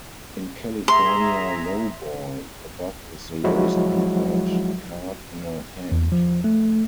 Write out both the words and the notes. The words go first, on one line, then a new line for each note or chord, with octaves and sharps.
In California lowball, the bug is the lowest unpaired card in a hand.
G#4 E5 A#5 C6
F3 F#3 G#3 E4 F#4
E2
F3
A3